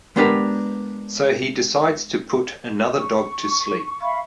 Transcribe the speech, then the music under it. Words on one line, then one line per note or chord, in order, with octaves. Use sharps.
So he decides to put another dog to sleep.
G#3 B3 D4 G4 A#4 B4
C#6
E5 F5 B5 C#6